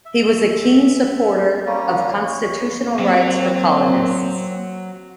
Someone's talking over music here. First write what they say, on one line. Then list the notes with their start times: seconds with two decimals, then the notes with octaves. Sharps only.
He was a keen supporter of constitutional rights for colonists.
0.05 E5
1.66 G3 A#3 C#4
2.14 C#5
2.99 F#3 A#3 C4